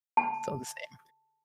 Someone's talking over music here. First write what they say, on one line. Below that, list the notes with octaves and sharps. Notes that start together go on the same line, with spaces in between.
it's all the same
A5